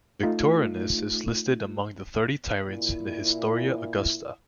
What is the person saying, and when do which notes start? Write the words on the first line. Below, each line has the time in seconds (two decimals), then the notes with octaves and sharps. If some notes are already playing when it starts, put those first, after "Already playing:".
Victorinus is listed among the Thirty Tyrants in the "Historia Augusta".
0.23 A3 D#4 F4
2.66 A#2 E4